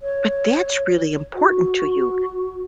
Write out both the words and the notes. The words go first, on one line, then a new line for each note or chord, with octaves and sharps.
but that's really important to you.
C#5
F#4